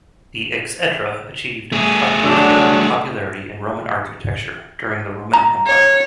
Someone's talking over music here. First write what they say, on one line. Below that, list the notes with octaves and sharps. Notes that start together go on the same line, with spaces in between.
The exedra achieved particular popularity in Roman architecture during the Roman Empire.
A3 G#4
D3 F#3 D4
A#5
C#5